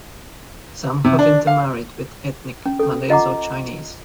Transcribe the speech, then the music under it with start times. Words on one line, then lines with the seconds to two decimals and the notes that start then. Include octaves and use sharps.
Some have intermarried with ethnic Malays or Chinese.
1.04 C3
1.19 D4
1.47 F5
2.66 C#4
2.79 C#4 A4
3.09 F4 D#5 F#5 A#5 D6